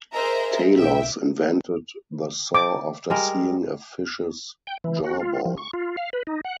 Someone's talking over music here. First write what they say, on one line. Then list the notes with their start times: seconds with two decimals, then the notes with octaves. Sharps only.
Talos invented the saw after seeing a fish's jawbone.
0.13 G#4 A#4 C5 D#5 E5 A#5
0.75 B1 E5 G5
2.55 D6
3.10 G3 G#3 A#4
4.67 G5
4.84 E3
5.04 F#4
5.20 F4
5.45 F3
5.58 C#6
5.73 F4
5.97 F5
6.13 B4
6.27 D#4
6.45 F#5